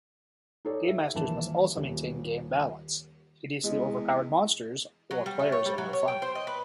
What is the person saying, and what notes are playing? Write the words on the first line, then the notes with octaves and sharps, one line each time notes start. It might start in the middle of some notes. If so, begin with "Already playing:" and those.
Gamemasters must also maintain game balance: hideously overpowered monsters "or" players are no fun.
D#4 G4 A4 C#5 D5
E5
D#1 A#1 E3 A#4 A5 E7
D#1 D#2
E2 G#3
F#3
G3
A3
C#5
G3
F#3
C#5
G5
C5
D#5
B4